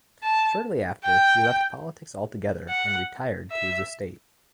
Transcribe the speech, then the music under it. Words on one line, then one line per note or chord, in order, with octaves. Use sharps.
Shortly after he left politics altogether and retired to his estate.
A5
G5
F#5
E5